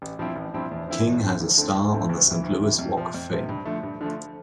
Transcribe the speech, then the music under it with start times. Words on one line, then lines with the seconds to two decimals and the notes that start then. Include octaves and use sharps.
King has a star on the Saint Louis Walk of Fame.
0.02 A1
0.19 G2 F3 C4 E4
0.36 A1
0.54 G2 F3 C4 E4
0.71 E2
0.88 D3 F3 C4 E4
1.06 E2
1.23 D3 F3 C4 E4
1.41 D2
1.58 D3 A3 C4 E4
1.75 D2
1.92 D3 A3 C4 E4
2.09 D2
2.27 C3 E3
2.44 D2
2.62 C3 E3
2.79 F2
2.96 C3 F3
3.14 F2
3.31 C3 F3
3.49 G2
3.65 D3 F3 A3
3.83 G2
4.01 D3 F3 A3